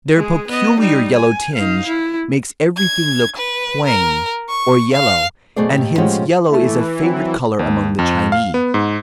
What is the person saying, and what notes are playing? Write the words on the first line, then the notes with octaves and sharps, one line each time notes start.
Their peculiar yellow tinge makes every thing look "hwang" or yellow,--and hence yellow is a favorite color among the Chinese.
G#3 G#4
B3 D#5
G3 D#4
G#5
D#4 F5
E4
G#6
B4
A#4
C#6
F5
F#2 B2 A3 G#4 C5 D5
D#2 A2 G4
A2 F3 G#3 C#4 G4 F#5
E3 A3 E4
F#3 C4
D#2
F2
F5
B3
G#2